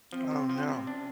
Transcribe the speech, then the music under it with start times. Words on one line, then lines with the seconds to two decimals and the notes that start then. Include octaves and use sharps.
Oh, no.
0.12 F3 C4
0.31 C3
0.49 F3
0.68 C3
0.87 C#4 D4